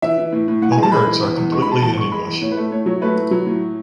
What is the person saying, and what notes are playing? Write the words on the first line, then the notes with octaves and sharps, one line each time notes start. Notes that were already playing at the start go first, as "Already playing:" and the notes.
The lyrics are completely in English.
E3 E5
E3
A2
A2
A2 F#5
G#5
G#3
A5
G#3 B5
E3
E2
E2
G#3 C#6
B5
G#3 A5
E2 A5
G#3 C#6
G#3 B5
E2
A2 C#5
B4
A3
A2 C#5
F#3 C#5
A3 B4
A2
F#3
A2